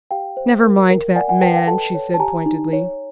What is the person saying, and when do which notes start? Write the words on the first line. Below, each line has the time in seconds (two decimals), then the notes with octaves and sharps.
"Never mind that man," she said pointedly.
0.11 G4 F5 G5
0.37 C5
0.64 A#4
0.90 A#4
1.16 D5 F#5 G#5
1.29 F#5 G#5
1.41 B4 G5 A5
1.54 F5 G5
1.67 A4 G5 A5
1.95 C#5
2.14 A5
2.20 G4 G#5 A#5
2.46 D#4
2.73 C#5